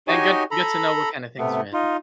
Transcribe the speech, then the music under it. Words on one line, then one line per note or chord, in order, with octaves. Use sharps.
and good good to know what kind of things you're in.
D#4 F#4 G4 C#5 D#5 G#5
A4 A#5 B5
C3 A3 B3
D#4 F4